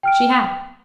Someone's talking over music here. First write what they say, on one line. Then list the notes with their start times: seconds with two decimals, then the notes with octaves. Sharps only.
She had.
0.03 G5 F6 D7